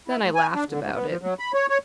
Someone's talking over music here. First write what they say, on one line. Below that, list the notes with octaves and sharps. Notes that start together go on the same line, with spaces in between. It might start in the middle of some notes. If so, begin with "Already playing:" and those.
Then I laughed about it.
E4
A2
G#5
D4
D3
G#2
B3
F3
F#3
B5
C#5
C#5